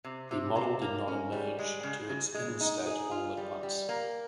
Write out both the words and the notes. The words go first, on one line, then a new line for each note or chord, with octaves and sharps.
The model did not emerge to its end state all at once.
C3
C3
C3
A#3
C#4
G3
G#3
C#3
C#3
G#3
D#4
G#4
F4
G3
G3
A#3